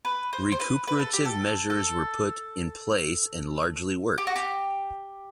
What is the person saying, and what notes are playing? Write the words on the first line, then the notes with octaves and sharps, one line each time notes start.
Recuperative measures were put in place and largely worked.
B4
C5
C5
B4
B4
A4
G4
A4
A4
G4
F#4
G4